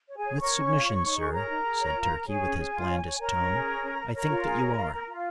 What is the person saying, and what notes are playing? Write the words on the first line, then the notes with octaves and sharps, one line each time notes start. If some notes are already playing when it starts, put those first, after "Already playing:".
"With submission, sir," said Turkey, with his blandest tone, "I think that you are."
C#5
G#4 G#5
C#5
A#4 C#5 C#6
C#4
F4
C#5
D#4
G#4
A#4 C#5 A#5
D#4
G#4
C#5
F4
A#4
G#4 C#5 G#5
C#4
G#4
F4
C#5
C#5
A#4 C#5 A#5
C#4
G#4
C#5
C#4
A#4
A#4 C#5 A#5
F4
G#4
C#5
F4
A#4
F4